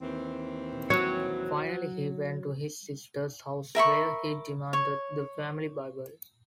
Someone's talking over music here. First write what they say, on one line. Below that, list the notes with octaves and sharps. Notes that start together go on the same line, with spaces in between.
Finally, he went to his sister's house, where he demanded the family Bible.
D#2 E3 C4
F#3 C#5
A#4 E5 B5 C#6
C#5